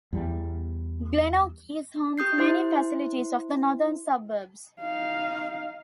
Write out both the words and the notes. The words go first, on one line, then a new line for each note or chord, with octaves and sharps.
Glenorchy is home to many facilities of the northern suburbs.
E2 G3
G4 D#6 G6 C7
E4 C5 C6
D#4 F5